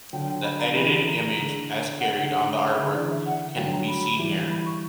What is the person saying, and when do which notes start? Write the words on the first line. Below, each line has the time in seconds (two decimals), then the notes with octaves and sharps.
The edited image, as carried on the artwork, can be seen here.
0.13 D3 F#3 G5
0.43 B5
0.59 A#5
0.75 C#3 E3 B5
1.07 A#5
1.38 D3
2.00 C#3 F#5
2.16 D3 F#5
2.31 F#5
2.62 C#3 B5
2.78 D3
2.94 C#3 E3 D5
3.10 E5
3.26 F#5
3.56 D3 F#3 G5
3.72 A#5
3.88 B5
4.19 E3 G3
4.50 B5
4.66 C#6